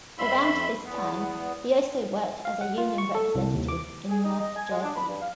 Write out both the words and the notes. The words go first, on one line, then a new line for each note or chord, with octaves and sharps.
Around this time he also worked as a union representative in North Jersey.
F2 E5 B5 C6
E2 B3
F5
F#5
F4
C#6
A4
C2
D#2
D6
G#4
D#4
D#5
G#5
G#3
D4
B5
G2
F5